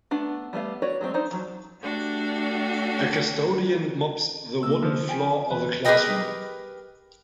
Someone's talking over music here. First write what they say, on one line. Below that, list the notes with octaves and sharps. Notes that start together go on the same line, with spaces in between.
A custodian mops the wooden floor of a classroom.
A3 B3 D4 F#5
G3 A3 B3 F5
F#4 B4 C#5 D5
F#3 G#3 A3 C4
D4 D#4 C5
F3 F#3
A3 D4 F#4 G4
C#2 A#3 E6
F3
G5 G#5
E2 B4
G4 G#4 A#4 B4 D#5 G5